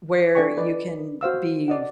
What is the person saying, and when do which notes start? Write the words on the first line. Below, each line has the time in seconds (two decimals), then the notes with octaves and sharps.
where you can be f
0.35 D4 A4 D5 G5 G#5 C#6
0.57 B4 D5 D#5
1.21 F#4 C5 F5 E6
1.68 D5 D#5 F#5